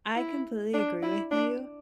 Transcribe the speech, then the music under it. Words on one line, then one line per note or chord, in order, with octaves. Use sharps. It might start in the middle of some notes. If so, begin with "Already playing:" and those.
I completely agree with you
E4
D4
E4
D4